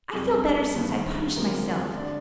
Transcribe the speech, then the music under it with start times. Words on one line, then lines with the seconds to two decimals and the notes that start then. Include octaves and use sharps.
I feel better since I punished myself.
0.13 F2 C3 G3 G#4
0.75 G2 D#3 G3
1.36 D2 C3 F3 G#3 A#4
1.97 D3 G#3 D5